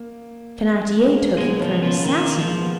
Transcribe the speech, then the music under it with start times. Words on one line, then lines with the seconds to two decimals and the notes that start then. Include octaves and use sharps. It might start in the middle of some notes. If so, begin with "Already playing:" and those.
Thenardier took him for an assassin.
Already playing: A#3
0.74 G#3
0.95 G#3
1.16 A#3
1.38 B2 G#3 B3
1.61 C#3 F3 C#4
1.82 B2 F3 B3
1.99 B3
2.04 D#3 A#3
2.37 F3 G#3
2.61 B3